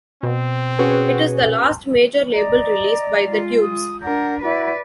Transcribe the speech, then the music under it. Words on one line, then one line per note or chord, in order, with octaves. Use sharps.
It is the last major-label release by The Tubes.
B2 C4
C#4 F#4 G#4 B4
D5 D#5 A#5
G#3 F4
D#6
D4 A#4 F#5 G6
E4 F#4 B4 D5